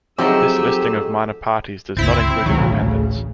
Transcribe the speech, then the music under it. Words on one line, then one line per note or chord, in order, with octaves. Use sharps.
This listing of minor parties does not include independents.
F3 F#3 A3 C4 D#4 G4 G#4 E6
G1 C#2 C4 E4
C#2 B2 D#3 F#3
A1 D2 C#3